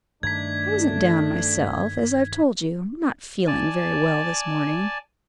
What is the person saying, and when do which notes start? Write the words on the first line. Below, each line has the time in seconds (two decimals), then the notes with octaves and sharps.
I wasn't down myself--as I've told you, not feeling very well this morning.
0.23 G2 D#3 A3 D4 G#6 B6
3.47 D5 G#5 A5